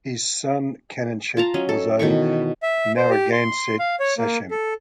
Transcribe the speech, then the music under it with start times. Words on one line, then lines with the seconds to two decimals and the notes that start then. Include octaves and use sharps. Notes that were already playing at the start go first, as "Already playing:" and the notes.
His son Canonchet was a Narragansett sachem.
1.37 F4 A5 A#5
1.54 F#3 C#4 D#5
1.69 A4
1.99 B2 D#3 E3 C#6
2.63 E5
2.96 C5
3.10 G4
3.32 C6
3.79 F5
4.00 C#5
4.18 A#3
4.51 A4